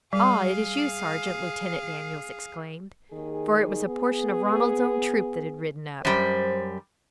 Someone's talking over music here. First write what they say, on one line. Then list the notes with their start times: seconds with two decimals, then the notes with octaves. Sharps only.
"Ah, it is you, sergeant," Lieutenant Daniels exclaimed, for it was a portion of Ronald's own troop that had ridden up.
0.13 G3 G#4 F5
3.12 D#2 D#3 G#4
3.86 B3 G#4
6.05 F#2 G3 C5